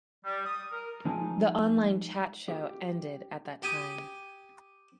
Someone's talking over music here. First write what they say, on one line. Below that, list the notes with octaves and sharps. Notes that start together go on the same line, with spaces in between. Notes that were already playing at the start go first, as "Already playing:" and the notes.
The online chat show ended at that time.
G3
D#6
A#4
F3 G#3 D#4 G#5 A5
G4
G4 G#5 D#6